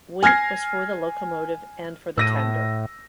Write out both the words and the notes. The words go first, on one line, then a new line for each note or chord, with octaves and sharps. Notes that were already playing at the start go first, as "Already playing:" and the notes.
Weight was for the locomotive and for the tender.
G#5 F6 G#6 A#6 C7
A2 E6 A#6 D#7